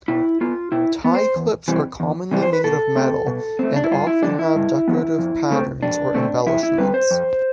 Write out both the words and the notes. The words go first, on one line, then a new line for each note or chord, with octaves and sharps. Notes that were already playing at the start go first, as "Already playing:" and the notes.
Tie clips are commonly made of metal and often have decorative patterns or embellishments.
B2 E4
B3 F4
B2 E4
B3
C5
E2
C3 E3 G3 C4
E2
C3 E3 G3 C4
C5
B4
B2 A4
A3 C4
B2
A3 C4
D4
E4
G2 F4
E4
D3 F3 B3 D4
E4
G2
D3 F3 B3
F2
D3 A3 C4
F2 D4
D3 A3 C4
F2 E4
E4
D3 G3 C4 B4
C5
F2